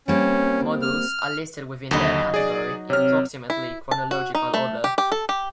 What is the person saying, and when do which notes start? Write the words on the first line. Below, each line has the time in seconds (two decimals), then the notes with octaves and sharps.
Models are listed within their category in approximately chronological order.
0.08 G3 A#3 C4 C#4
0.82 F6
1.91 D#2 D3 F#3 D#4 B5
2.34 G#4 D5
2.90 C3 C4 C#5 F6
3.50 E4
3.91 A5
4.11 F#4
4.35 D#4
4.54 A3
4.84 G4
4.98 G4
5.12 A4
5.29 G4